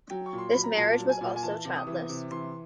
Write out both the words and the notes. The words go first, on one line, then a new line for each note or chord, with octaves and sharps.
This marriage was also childless.
F#3 G5
C#6
A#2
C6
F#3 B5
A#5
A#2 A5
F#3
G#5
A#2
G#5
E3 A5
C3
D#6
E3
C3
E3 C6